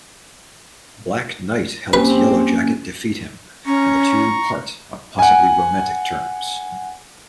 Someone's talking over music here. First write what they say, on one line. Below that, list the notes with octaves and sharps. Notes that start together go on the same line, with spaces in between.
Black Knight helps Yellowjacket defeat him and the two part on possibly romantic terms.
A#3 C4 C#4 G4 B4 G#5
C#4 A#5 C#6
F#5 G#5